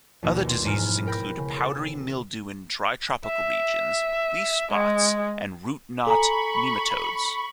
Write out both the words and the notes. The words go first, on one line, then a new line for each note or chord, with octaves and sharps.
Other diseases include powdery mildew in dry tropical regions, leaf spots, and root-knot nematodes.
A#1 D#2 B2
C6
E1 G#2 E4 A#5 B5 F6
A#4 G5 B5 A#6
C#3
A4
E5
G#3
A4 G#5 A#5 B5 C#6